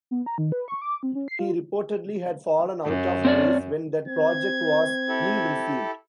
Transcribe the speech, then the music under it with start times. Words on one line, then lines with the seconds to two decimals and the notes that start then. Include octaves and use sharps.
He reportedly had fallen out of grace when that project was ill-received.
0.11 B3
0.26 A#5
0.38 D#3
0.52 B4
0.68 C#6
0.82 D6
1.03 C4
1.15 C#4
1.28 C7
1.39 F4
2.85 F#2
3.25 C4 C#5 D5
4.08 C4 G#6
5.09 E4 G4 A4